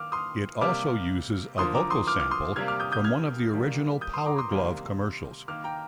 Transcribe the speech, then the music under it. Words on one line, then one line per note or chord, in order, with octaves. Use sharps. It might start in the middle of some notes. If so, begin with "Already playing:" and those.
It also uses a vocal sample from one of the original Power Glove commercials.
Already playing: D#3 A#3 D6 F6
C6 D#6
C3 G3 A#3 D6 F6
D3 F3 A#3 C6 D#6
A#5 D6
C6 D#6
D6 F6
D6 F6
C6 D#6
C3 G3 A#3 F6 G#6
D6 F6
D#6 G6
D#6 G6
F6 G#6
D#3 G3 A#3
D#6 G6
C6 D#6
A#5 D6
C6 D#6
C3 D#3 G3 A#3
D#3 A#3 D6 F6
G5 A#5